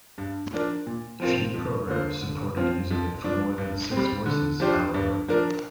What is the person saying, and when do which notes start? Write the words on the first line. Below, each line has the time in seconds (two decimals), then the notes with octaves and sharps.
Few programs supported using it for more than six voices, however.
0.18 G2
0.53 F3 D4 A#4
0.87 A#2
1.20 F3 C4 F4 A#4
1.54 F2
1.88 D3 A#3 F4 C5
2.22 D3
2.57 F3 C4 F4
2.91 F2
3.24 F3 D4
3.58 G2
3.92 C4
3.97 G3
4.26 D3
4.60 F3 D4 G4 C5
4.94 G2
5.28 F3 D4 A#4